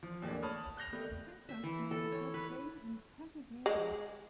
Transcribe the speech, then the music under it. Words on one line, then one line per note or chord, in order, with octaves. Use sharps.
Symptoms may include pain and heavy bleeding.
F3
D#2 A2 E3 G#3 A#3 D4
C#5 A5 B5 D#6 F6
F#6 G6 A#6 F7
D#3 G3 A3 B3
E5
E3
A4
C#5
B4
G#3